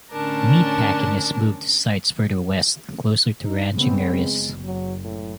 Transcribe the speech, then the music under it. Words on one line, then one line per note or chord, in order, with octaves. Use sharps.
Meatpacking has moved to sites further west, closer to ranching areas.
A2 D3 C#4 D4 A#4 A5
D#4
C#3 G#3 B3 C4
F#1
F#3
A2